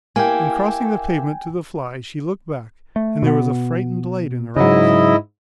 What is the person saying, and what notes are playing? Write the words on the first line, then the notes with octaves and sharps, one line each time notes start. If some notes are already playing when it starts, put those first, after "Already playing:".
In crossing the pavement to the fly she looked back; and there was a frightened light in her eyes.
A#3 E4 G4 G5 G#5
A3
B2 B3
G#2 C#3 F#3 E4 D#5